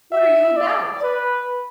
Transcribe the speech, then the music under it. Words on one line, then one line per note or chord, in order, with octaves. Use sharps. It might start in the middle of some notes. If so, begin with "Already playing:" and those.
What are you about?'
E5
D5
B4